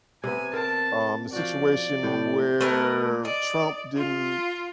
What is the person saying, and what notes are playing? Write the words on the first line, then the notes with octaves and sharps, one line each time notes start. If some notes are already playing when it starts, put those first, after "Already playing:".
um, the situation where Trump didn't
C3 B3 G#5
C4 A#4 A5
F3 F#4 D5
A2 G5
A3 A#4 B4
D5 D#5
F4